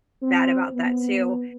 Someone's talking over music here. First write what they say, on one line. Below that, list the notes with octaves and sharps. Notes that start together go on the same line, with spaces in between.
bad about that too,
C4
B3